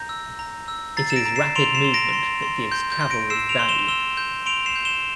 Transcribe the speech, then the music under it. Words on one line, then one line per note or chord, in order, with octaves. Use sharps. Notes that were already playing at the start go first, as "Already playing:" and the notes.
It is rapid movement that gives cavalry value.
Already playing: A#5 G6 A#6
E6
A#5
E6
A#5 A6 C7
E7
A#6 D7
A#5
C7 E7
C6 D7 F7
C7 E7
C6
A#6 D7
C6
C6
C6 G6
G6
C6
A#6 D7
E6 C7 E7
D7 F7
C6
E7 G7
E6 E7 G7
G6
C6 D7 F7
C7 E7
G6
E7 G7